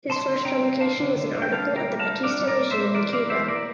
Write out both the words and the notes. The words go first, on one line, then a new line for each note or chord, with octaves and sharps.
His first publication was an article on the Batista regime in Cuba.
D3 A5 C6
D3
C4 G5 A#5
C4
D3 F5 A5
D3
D3
D3
G5
G3 F5 A5
A#3
G5 A#5
G3
F5 A5
G3
D4 D5 F5
G3
A#4 D5
A#3
C5 E5
G3
E3 A#4 D5
E3 D5 F5
E3 C5 E5
C5
A#3 A#4 D5